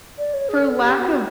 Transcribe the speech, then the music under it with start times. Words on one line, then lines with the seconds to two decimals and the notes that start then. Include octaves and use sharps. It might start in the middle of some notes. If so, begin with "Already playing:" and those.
for lack of
0.18 D5
0.33 C#5
0.49 G#4
0.59 A#4
0.64 A4
0.79 G4
1.00 F#4